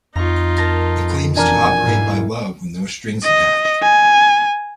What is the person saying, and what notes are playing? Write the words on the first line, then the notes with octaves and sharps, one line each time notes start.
It claims to operate "by love with no strings attached".
F2 D#4 F4 A#5 C#6
A#4 A5 A#5
E1 D4 A#4 G#5
G#2 A#3 E4
D#5
G#5